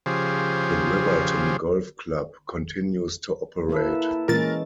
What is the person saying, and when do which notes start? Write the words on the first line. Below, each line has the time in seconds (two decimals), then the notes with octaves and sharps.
The Riverton Golf Club continues to operate.
0.06 C#3 F3 G4 G#4 C5
3.69 A#3 E4 A4 B4
4.28 A#2 E3 G#3 C#4 A#4 A6